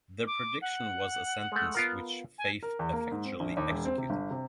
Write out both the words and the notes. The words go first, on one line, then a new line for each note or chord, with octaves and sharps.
The prediction was a sentence which faith effectually executed.
D6
F#5
G#3 A3
B3 F4 A#4
G#5
A#4
E2
A#3
G#2
C4
A#1
D#2
E1
C4
C3
G1
C3